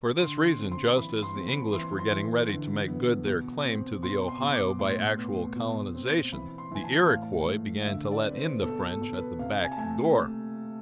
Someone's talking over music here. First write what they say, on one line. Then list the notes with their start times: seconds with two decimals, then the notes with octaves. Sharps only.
For this reason, just as the English were getting ready to make good their claim to the Ohio by actual colonization, the Iroquois began to let in the French at the back door.
0.20 D3 C6
0.46 C6
0.59 C4
0.72 C6
0.96 E3 B5
1.23 C6
1.35 C4
1.48 B5
1.73 E3 C6
1.99 C6
2.12 E3
2.49 D3
2.88 B3
3.26 B2
3.65 C4
4.03 B2 C6
4.28 C6
4.41 B2
4.54 D6
4.79 A2 C6
5.18 B3
5.56 B2
5.95 C4
6.33 E3 B5
6.58 C6
6.71 E3 G#5
6.84 A5
7.09 A2 F5
7.48 A3
7.81 F5
7.86 D3 E5
8.11 D5
8.24 C4 B4
8.37 C5
8.63 B2 A4
8.88 A4
9.01 B2
9.13 B4
9.39 C3 F5
9.64 G#5
9.72 A5
9.77 A3 G#5